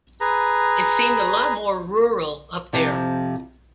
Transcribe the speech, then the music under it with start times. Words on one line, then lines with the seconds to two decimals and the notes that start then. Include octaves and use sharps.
It seemed a lot more rural up there.
0.21 G#4 B4 A#5
2.73 F2 C3 F3